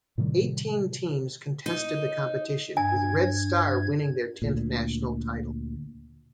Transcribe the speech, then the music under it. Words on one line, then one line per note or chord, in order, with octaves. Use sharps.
Eighteen teams contested the competition, with Red Star winning their tenth national title.
A2 C3 D#3 G3
D#4
G2 G#5 G#6
D2 A#2